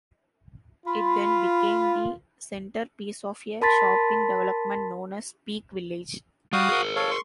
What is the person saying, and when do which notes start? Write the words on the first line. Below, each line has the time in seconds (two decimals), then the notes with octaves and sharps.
It then became the centrepiece of a shopping development known as Peak Village.
0.86 F4 B5
3.62 A#4 A5 B5 C6 A6 B6
6.53 G3 F#4 F5 D#6
6.69 G#4 A#4
6.96 A4 C#5 F5
7.11 C6 C#6